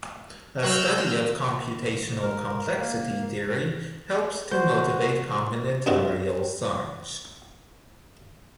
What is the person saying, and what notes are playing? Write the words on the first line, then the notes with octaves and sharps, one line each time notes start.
A study of computational complexity theory helps to motivate combinatorial search.
F#3 F#4 E6 F6 G6
G#2
A#4
A#3
F#4 C5
G2 G#3 C4 D4 F#4